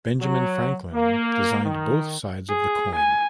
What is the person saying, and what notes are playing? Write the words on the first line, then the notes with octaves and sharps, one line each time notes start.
Benjamin Franklin designed both sides of the coin.
F#3
A#3
D#3
G#4
G#5